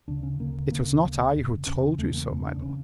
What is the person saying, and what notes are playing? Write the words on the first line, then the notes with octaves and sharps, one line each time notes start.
"It was not I who told you so, my lord."
D2 C#3 D4
C#4
D2 C#3 A#3
C#4
D2 C#3 A#3
D2 C#3
E2 C#3
E2 C#3 C#4
C#4
E2 C#3 A3
A#3
E2 C#3 C#4
D4
C#3 C#4